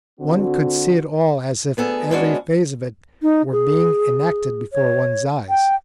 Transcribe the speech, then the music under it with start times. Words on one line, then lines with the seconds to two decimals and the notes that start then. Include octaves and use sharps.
One could see it all as if every phase of it were being enacted before one's eyes.
0.20 D3 C4 F#4
1.77 D2 B3 G#4 A4
2.11 G#3 B3 C#4 D4 F4 F#4
3.22 D#4
3.52 G#4
4.73 C#5
5.49 G5